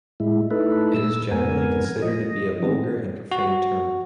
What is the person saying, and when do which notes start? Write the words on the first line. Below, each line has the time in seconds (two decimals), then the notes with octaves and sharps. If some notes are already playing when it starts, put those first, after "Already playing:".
It is generally considered to be a vulgar and profane term.
0.20 A2 G#3 E4
0.51 A3 D#4 E4 A4 B4
0.94 A#2 E6
1.31 F2 G#2 B3 A#4 G#5
2.02 F3 D#5
2.62 D#3 B3 C4
3.31 F#4